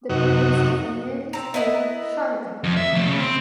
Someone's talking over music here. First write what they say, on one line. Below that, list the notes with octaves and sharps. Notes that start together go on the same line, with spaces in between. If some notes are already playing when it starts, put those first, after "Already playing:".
The plains have a nearly straight shoreline.
F#2 C3 D#4 F#4
C4 A#5
B3 E4 D#5 F#5
F2
E5
F3 A3
C#3
C4